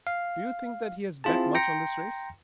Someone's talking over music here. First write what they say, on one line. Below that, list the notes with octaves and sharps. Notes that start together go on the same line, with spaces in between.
"Do you think that he has bet much on this race?"
F5
C4 E4 F4 G#4 A5
G5 A#5 C6 A#6 C#7